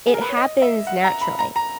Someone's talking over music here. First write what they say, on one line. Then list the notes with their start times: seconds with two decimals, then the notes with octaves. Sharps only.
It happens naturally.
0.07 G#4
0.14 A#4
0.21 B4
0.29 C#5
0.36 D#5
0.62 E5
0.87 F#5
1.04 A#5
1.21 B5
1.39 A#5
1.56 A#5